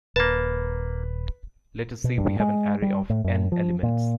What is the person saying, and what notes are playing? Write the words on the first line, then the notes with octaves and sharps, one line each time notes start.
Let us say we have an array of n elements.
D#1 A#3 B4 A5
B2
G2
G#3
G3
A2
F#2
F3
A#2